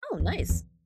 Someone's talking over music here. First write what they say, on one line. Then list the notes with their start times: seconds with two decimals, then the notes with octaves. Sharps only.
Oh, nice.
0.20 F2
0.38 F2
0.49 E2